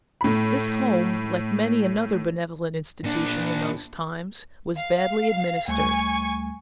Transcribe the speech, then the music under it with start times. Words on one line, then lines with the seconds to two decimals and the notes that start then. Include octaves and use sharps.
This home, like many another benevolent institution in those times, was badly administered.
0.21 A2 B5
3.04 A#2 D4
4.77 F5
5.68 D2 G3 A3 G#5 C#6